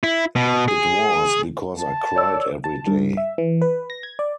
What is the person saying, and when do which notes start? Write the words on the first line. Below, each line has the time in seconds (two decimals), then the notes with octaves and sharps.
It was because I cried every day.
0.03 E4
0.36 B2
0.68 G#4
1.79 A5
2.16 C#5 D5 E6
2.64 A5
2.87 G2
3.17 E5
3.38 E3
3.62 B4
3.90 A#6
4.03 G#6
4.19 D5